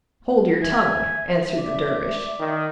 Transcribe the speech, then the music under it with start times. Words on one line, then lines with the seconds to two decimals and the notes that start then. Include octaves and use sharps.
"Hold your tongue," answered the Dervish.
0.62 E5 G#5
1.58 D5
2.39 D#3